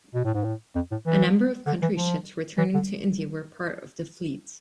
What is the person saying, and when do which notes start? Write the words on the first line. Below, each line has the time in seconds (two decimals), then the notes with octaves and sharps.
A number of country ships returning to India were part of the fleet.
0.15 B2
0.25 A2
0.34 G#2
0.44 A2
0.75 F2
0.91 A2
1.06 E3
1.67 D3
1.82 E3
1.97 F3
2.58 E3
2.74 D3